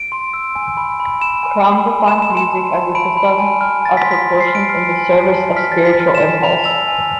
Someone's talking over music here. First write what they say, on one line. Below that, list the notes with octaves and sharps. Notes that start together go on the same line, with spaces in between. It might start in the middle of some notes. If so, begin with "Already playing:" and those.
Crumb defines music as a system of proportions in the service of spiritual impulse.
Already playing: D7
C6
E6
G#5
B5
B5
B5 E7
G#5
B5
G#5
A5 E7
E7
C6
E7
A5
A5
B5 D7
B5
G#5
F6
G#5 A6
B6
C6
B6
C6
C7
F6
D7
F6
G#5
A5
A5
F6 B6
A6
F6
B6
F6 B6
E7
G#5
E7
A5 F7
E6 F7
G#5